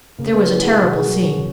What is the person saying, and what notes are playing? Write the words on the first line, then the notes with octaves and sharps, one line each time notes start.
There was a terrible scene.
C#3 A#3
B3
E3 G#4
G#4
F#4
B2 F#4
G#4
F#3 A#4
C#5
C#3